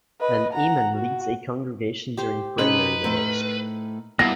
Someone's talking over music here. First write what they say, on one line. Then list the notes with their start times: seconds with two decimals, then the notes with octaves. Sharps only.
An Imam leads a congregation during prayer in a mosque.
0.21 B4 D#5
0.54 F#5 A#5
0.93 F#4
2.17 G4 C5
2.58 C3 C#4 D#4 B4 C5
3.04 A2 A3 A#4 C5
4.19 G2 A#3 B3 E4 A#6